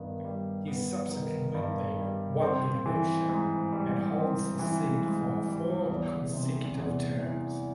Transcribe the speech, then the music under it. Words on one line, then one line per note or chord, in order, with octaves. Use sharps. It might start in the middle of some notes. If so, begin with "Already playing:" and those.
He subsequently won the election and holds the seat for four consecutive terms.
Already playing: G2 D#3 B3
G3
B3
D#3
G2
G3
C4
E3
G#2
G3
C4
E3
G#2
G3
E2
C3
E2
E3